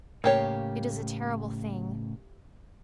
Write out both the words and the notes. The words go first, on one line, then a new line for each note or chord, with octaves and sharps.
It is a terrible thing.
A2 C#3 A#3 G4 C#5